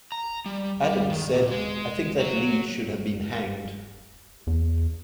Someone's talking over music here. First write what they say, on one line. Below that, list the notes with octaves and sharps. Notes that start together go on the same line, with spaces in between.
Adams said, I think that Lee should have been hanged.
A#5
G3
G3
D#3
A#2
G#3
F#3
E2